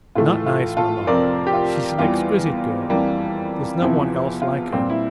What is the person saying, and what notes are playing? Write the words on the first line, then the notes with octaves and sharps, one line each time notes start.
"Not nice, maman; she's an exquisite girl; there's no one else like her."
A2 E3 A3 F4
F4
F4 A4
F2 C3 F3 C4 A#4 D5
G4
F4
E2 E3 G3 F4
F2 E3 G3 A#3
E2 C3 F3 E4
F4
A#2 G3 C4
E4